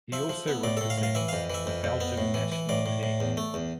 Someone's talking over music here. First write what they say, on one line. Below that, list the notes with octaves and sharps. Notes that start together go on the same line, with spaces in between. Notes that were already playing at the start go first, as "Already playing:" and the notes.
He also represents the Belgium national team.
F3 E5
F3
B3
A2 D5
A2 A4
F5
A2
F5
E3 E5
F2 F5
E3 E5
F2
F2
B3
A2
E3
E3
A2 D5
A2
A2
E2
A3
E2